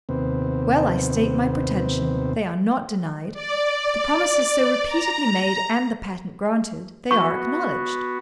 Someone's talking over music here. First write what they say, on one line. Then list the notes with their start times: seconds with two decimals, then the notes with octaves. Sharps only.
Well, I state my pretension --they are not denied; the promises so repeatedly made and the patent granted--they are acknowledged.
0.09 D#2 C3 B3 C4
3.33 D5
4.86 A#5
7.11 B3 F#4 C#6